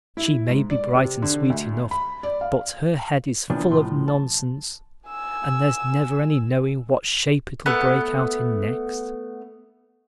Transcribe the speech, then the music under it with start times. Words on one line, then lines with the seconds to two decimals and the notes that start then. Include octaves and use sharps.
She may be bright and sweet enough, but her head is full of nonsense and there's never any knowing what shape it'll break out in next.
0.17 E4
0.50 G#2
0.70 D5
0.95 C3
1.22 D3
1.50 D2
1.91 B5
2.23 D5
2.41 F5
3.50 C3 E3 F3 B3 D4
3.71 C2 A2 F3 C6
4.08 A5
5.08 G#5 E6
7.66 A3 B3 F#6